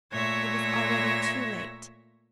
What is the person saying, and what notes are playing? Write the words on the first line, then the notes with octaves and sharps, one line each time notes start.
It was already too late.
A#2 A3 C#5 E5 A#6